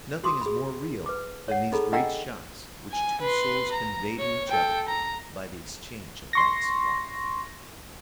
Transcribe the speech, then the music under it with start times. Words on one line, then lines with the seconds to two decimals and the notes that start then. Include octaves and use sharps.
Nothing is more real than these great shocks which two souls convey to each other by the exchange of that spark.
0.24 F#4 C6 D6 D#6
0.42 G#4 B5
1.06 B4 D6
1.48 C#5 F#5
1.72 D#4 G#4 A4 A#5 B5
1.93 D4 D#5 F#5 G5 A#5 E6
2.91 G#5
3.21 B4 C6
3.72 A#5
4.19 C#5
4.49 A4 G5
4.88 A#5
6.33 C6 C#6 A#6